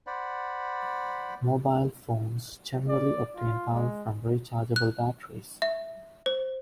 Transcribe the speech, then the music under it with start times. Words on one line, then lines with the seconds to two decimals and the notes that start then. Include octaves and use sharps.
Mobile phones generally obtain power from rechargeable batteries.
0.07 C5 D5 F#5 B5
2.89 D5
3.35 F4
3.74 G#3
4.76 F#6
5.62 E5
6.26 C5